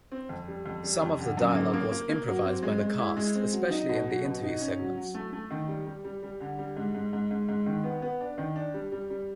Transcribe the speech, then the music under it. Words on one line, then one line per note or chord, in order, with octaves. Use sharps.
Some of the dialogue was improvised by the cast, especially in the interview segments.
C4
F2
G3
F2
G3
F2
D3
F#2
A#3
A#3
A#3
A#3
F#3
C4
G#3
G#3
E4
G#3
C4
F#3
D#4
B2
F#3
B2
D#4
C#4
F#3
F#3
A3
A3
D#3
G3
G3
G3
G3
D3
G3
G#2
G#2
G#2
G#2
G#2
D#3
B3
B3
D4
D#3
D4
G3
G3
G3